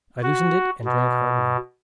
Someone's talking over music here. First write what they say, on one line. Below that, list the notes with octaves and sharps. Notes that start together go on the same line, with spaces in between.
I loosened it and drank heartily.
F#4
B2